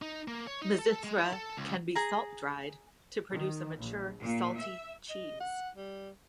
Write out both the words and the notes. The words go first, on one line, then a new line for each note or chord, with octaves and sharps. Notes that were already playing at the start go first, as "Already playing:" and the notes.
Mizithra can be salt-dried to produce a mature salty cheese.
D#4
A#3
C#5
D#4
A4
G#3
E4
A4
C#2
G#4 A#5
D#3
A#1
A#2
E5
D#5
F#5
G3